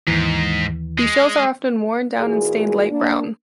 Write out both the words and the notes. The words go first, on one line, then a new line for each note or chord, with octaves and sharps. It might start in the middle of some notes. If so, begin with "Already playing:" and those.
The shells are often worn down and stained light brown.
D#2 G#2 E3
G#3
A#2 E3 F#4 G#4
A#3 D4